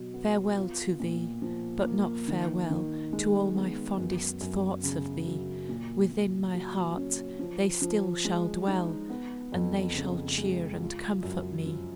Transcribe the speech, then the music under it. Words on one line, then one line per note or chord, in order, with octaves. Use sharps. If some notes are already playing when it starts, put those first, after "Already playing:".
Farewell to thee! but not farewell To all my fondest thoughts of thee: Within my heart they still shall dwell; And they shall cheer and comfort me.
Already playing: B2 F#3
B3
F4
A#2
F3
A#3
D#3
D#3
G#3
B3
F#2
F#2
C#3
F#3
A#2
A#2
F#3
C#4
F3
F3
G#3
D#4
B3
F2
C#3
G#3
F4
F#2
F3